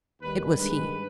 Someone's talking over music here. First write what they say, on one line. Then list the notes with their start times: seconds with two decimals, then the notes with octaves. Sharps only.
It was he.
0.22 D#2 D#3 G3 B4
0.59 G2 D#3 G#3 B4